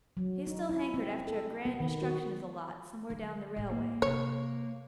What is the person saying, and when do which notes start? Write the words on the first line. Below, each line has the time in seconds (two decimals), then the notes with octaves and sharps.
He still hankered after a grand destruction of the lot somewhere down the railway.
0.17 F#3
0.47 D#4
0.69 E4
0.94 C4
1.27 A4
1.65 B3
1.80 D#3
2.02 F#4
3.10 D3 F#3
3.56 A2 B3
3.72 A#3
4.02 C3 C#5